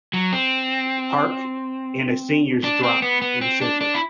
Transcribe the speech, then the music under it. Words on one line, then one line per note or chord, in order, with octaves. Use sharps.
Park and a Seniors Drop In Centre.
F#3
C4
D4
C4
B3
B3
C4
D4
D4
E4